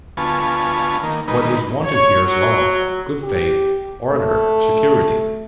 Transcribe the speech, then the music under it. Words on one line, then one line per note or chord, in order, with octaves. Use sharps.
What is wanted here is law, good faith, order, security.
D2 B3 F4 G#5 A5 C#6
D#3 A#3
B2 D#3 G#3 A#3 D#4 B4
C#5
F#3
G4
A3